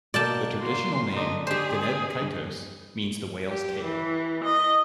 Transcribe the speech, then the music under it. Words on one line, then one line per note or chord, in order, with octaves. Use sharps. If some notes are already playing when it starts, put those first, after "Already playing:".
The traditional name "Deneb Kaitos" means "the whale's tail".
B2 A#3 D4 D5 G5 A5
A#3 F#4 C6
D3 D4 D#4 D#5
G4 G#4 C5
G2
G4
E3
D#5